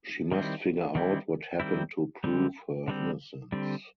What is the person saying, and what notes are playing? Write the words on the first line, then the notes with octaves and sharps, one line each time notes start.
She must figure out what happened to prove her innocence.
D#3 G3 C4 E4
D#3 G3 C4 E4
D#3 G3 C4 E4
D3 G3 C4
D3 G3 C4
D3 G3 C4